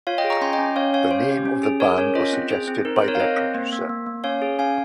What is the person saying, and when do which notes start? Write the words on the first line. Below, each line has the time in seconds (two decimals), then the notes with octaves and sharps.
The name of the band was suggested by their producer.
0.07 F4 C#5 F5
0.18 D#5 G5
0.24 G#4
0.30 A#5 C#6
0.41 C#4 G#5 C6
0.53 D#5 G5
0.59 C#4
0.76 C#4 C#5 F5
0.93 C#4 C#5 F5
1.11 C#4 C5
1.29 G4
1.46 C#4
1.63 G#4
1.80 G#4 A#4 C#5
1.98 C#4 A#4 C#5
2.15 F4 C5 D#5
2.33 C4
2.50 G#4 C5
2.68 C4
2.85 D#4 A#4
2.96 C5
3.02 C4
3.08 A#4 C#5
3.15 F5
3.20 C4 C5 D#5
3.37 C4
3.54 A#3
3.72 A#3
3.89 A#3
4.06 A#3
4.24 C#4 C#5 F5
4.42 G#4
4.59 C#4 F5 G#5